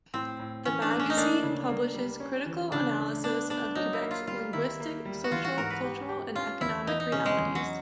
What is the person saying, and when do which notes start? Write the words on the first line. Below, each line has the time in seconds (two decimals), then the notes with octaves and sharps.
The magazine publishes critical analysis of Quebec's linguistic, social, cultural and economic realities.
0.14 A2 C4
0.39 A2
0.65 E3 C#4
0.82 D4
0.91 A3
1.00 C#4
1.10 D#4
1.17 A#3 D4
1.43 C#3
1.69 A#3
1.94 G3
2.20 C#4
2.46 E3
2.72 C#3 D4
2.98 A3
3.24 B3 D4
3.50 B3 D4
3.75 F#3 D#4
3.93 E4
4.01 A#3
4.11 F4
4.27 G3 F4
4.53 D#3 E4
4.80 A#3
5.06 G3
5.24 F#4
5.31 E3 F4
5.45 F#4
5.57 G#2 A#4
5.70 B4
5.84 G4
6.09 G4
6.35 C#4 F4
6.61 E2 E4
6.86 E3 D#4
7.00 D#4
7.12 C3 C#4
7.26 G#3
7.38 E2
7.55 F#3